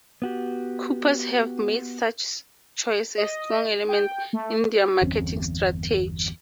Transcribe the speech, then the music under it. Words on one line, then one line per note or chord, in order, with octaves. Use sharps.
Coopers have made such choice a strong element in their marketing strategy.
B3 F#4 G4
D#5
G5
A3
G1 E2 C4 C#4